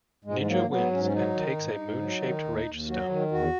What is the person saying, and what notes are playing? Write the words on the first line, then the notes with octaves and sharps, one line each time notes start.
Ninja wins and takes a moon-shaped Rage Stone.
G#2 G#3
G#3
F#3 A#3
F#3 B3
G#2 C#4
C#4
F#3 D#4
D#3
G#2
G#2
F#3
D#3
D#2
D#2
F#3 F#4
D#3
E2 F#4